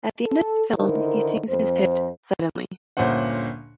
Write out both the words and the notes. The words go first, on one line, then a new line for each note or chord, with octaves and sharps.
At the end of the film, he sings his hit Suddenly.
A4
D3 D#3 D#4 E4 A#4 C5
F2 C5
G1 D2 A#2 C#4 C5 F#5